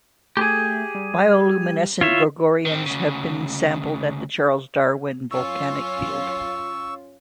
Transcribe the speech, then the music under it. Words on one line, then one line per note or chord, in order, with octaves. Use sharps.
Bioluminescent gorgonians have been sampled at the Charles Darwin volcanic field.
A3 G4 G#4
G3
E4 F4 C#5 E5
D#3 C4
D2 C#3
F#2 C#4 F4 C#6 E6